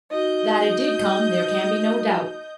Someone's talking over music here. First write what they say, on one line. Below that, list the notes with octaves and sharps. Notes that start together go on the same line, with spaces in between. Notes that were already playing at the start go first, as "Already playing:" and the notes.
That it did come there can be no doubt.
D#4 F#4 D#5 G6